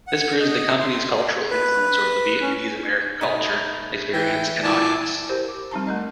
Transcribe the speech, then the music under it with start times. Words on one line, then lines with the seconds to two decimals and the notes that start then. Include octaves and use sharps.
This proves the company's cultural influence over the Vietnamese American culture, experience and audience.
0.07 F#5
0.40 D#5
0.80 C6
1.50 B4
2.41 C#4
3.21 B2 A3 D#4
4.13 E3 G5
4.63 A#2 E4 D5 G#5 A5
5.29 G4 A#4 C5
5.49 D6
5.71 G3 C4 D#4 A5 A#5
5.87 A3 A#4 D#5